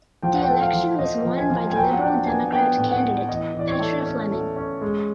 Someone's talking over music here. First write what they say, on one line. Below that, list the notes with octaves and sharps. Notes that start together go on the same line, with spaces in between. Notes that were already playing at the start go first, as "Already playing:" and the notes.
The election was won by the Liberal Democrat candidate Petra Fleming.
F3 G5
F#5
G5
A3
F5
F3
F3 D#5
F3
G#5
F3
G#5
F#3 G5
F#5
D4 G5
B3 G#5
B3 G5
A2
F#5
B3
E3 D#5
E3 D5
C#5
A3
C#4
A3
C#4
G#3